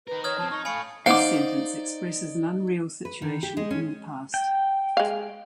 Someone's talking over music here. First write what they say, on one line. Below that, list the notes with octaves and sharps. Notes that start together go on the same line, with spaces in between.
This sentence expresses an unreal situation in the past.
D#4 A#4 B4
C#5 D#6 F6 G#6
F3 C4 A5
D#4 C#6
A3 C#5 F5 G#5 B5 C#7
D#4 C5 D5 F5 F#5 D6
B4
D#3
G4
G#3
C#4
G5
G#3 F5